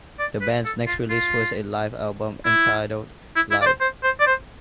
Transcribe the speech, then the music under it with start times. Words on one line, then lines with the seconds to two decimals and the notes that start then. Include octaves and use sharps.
The band's next release was a live album entitled Live!
0.19 D5
0.41 B4
0.65 A4
0.87 F4
1.10 F4
2.45 E4
3.36 E4
3.51 E4
3.62 D5
3.66 C5
3.81 C5
4.03 C5
4.20 D5
4.27 C5